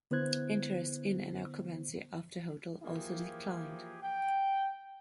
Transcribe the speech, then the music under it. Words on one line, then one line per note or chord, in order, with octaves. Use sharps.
Interest in and occupancy of the hotel also declined.
D3 B3 E4 C5 F#6 G#6
E3 F3 A#3 F4 G4 G#4
G5